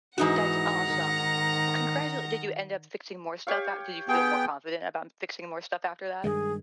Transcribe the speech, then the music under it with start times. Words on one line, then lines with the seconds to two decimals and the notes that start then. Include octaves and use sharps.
That's awesome. Well, congratul did you end up fixing more stuff out? Did you feel more confident about m fixing more stuff after that?
0.18 G#2 E3 D#4 F#4 F#5 A#5
0.87 D#3
3.47 G4 C#5 F5
4.09 B3 G#4 G5
6.24 G2 D#3 G#3 G#4